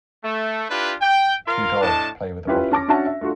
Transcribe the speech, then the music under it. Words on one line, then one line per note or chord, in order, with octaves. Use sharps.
Two dogs play with a bottle.
A3
D4 E4 F4 G4 B4
G5
F4 A#4 F5
A2 D4 D#5 A5
C#4 E4 F4 G4 B4
C#4 A5 D6 A#6
C#4 D4 F#4 E5 F#5 A5
E5
A3 D4 F4 F#4